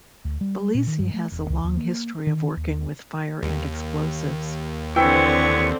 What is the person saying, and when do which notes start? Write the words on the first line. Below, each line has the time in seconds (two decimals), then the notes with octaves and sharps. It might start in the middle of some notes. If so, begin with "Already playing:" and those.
Belleci has a long history of working with fire and explosives.
0.25 D2
0.41 G3
0.74 A#2
0.87 D#3
0.99 G2
1.14 A3
1.32 E1
1.50 C#2
1.64 D#2
1.77 A#3
2.27 D#3
2.57 D#2
3.43 D#2
4.96 D3 E3 B3 C4 C#5 G5 C#6 E6